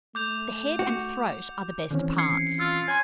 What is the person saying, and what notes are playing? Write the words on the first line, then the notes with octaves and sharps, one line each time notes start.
The head and throat are the best parts.
A3 D6 G6 F7
F#4
D#3 E3 C4 C#4
G#6 C7 C#7
F4 E6
C#5 G#5 C6